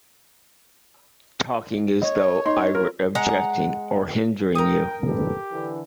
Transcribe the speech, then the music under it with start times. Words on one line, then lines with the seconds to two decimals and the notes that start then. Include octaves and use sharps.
Talking as though I were objecting or hindering you!
2.02 C#5 D#5
2.46 D#4 C6
2.75 F4 A#4
3.15 G#3 F#5 A#5
4.55 A#4 G5 D#6
5.08 G4 A4 B4
5.51 D3 E3